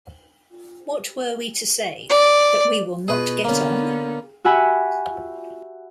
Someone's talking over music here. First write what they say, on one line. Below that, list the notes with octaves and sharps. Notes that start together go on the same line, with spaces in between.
What were we to say, that we will not get on?
D5
B2 G#4 B4
D3 A#3 B3 C#4
F#4 G4 E5 F#5 G#5 B5